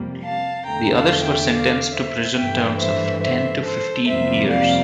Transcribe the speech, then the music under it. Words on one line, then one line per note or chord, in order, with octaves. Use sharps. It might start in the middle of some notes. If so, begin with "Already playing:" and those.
The others were sentenced to prison terms of ten to fifteen years.
Already playing: F2 C3 G3 A#3
F5 A5
E2 D3 A3 G5 A#5
F5 A5
E5 G5
D5 F5
C5 E5
G2 E3 A3 E5 G5
C5 E5
C5 E5
A4 C5
F2 C3 G3 A#3 C5 E5
D5 F5